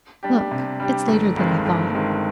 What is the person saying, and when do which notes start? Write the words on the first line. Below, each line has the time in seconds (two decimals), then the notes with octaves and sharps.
'Look! it's later than I thought.
0.23 G3 D4 G4
0.51 C3
0.80 G3 D4 G4
1.08 G1
1.37 G2 D#3 G#3 C4
1.66 G1
1.94 G2 D#3 G#3 C4